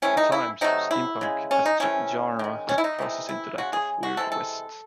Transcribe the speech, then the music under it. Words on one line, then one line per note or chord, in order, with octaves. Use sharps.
At times, steampunk as a genre crosses into that of weird west.
C3 E3 A3 C#4
D#4
E4
C3 F#3 A3 D#4
E4
C#3 G#3
C#4
D#4
C3 E3 A3 C#4
D#3 G#3
C#4
E4
D#4
C3 E3 A3
E4
C#3 G#3 F#4
G#4
F#4
C3 E3 G#3 A4
A4